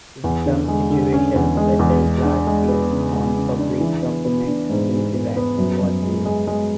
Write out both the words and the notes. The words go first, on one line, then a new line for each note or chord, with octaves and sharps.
In some situations, such as large seals on public documents, beeswax was used.
E2
D3
G#3
D3
C#4
E2
G#3
E2
G#3
D4
G#3
B3
C#3
G#3
C#3
D4
E3
B3
B3
D4
G#2
G#2
B3
B3
F#2
F#2
G#3
G#3
G#3